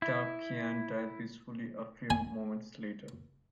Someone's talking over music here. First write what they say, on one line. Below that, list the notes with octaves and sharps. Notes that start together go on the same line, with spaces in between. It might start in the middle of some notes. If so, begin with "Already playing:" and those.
Tao Qian died peacefully a few moments later.
E4
G#5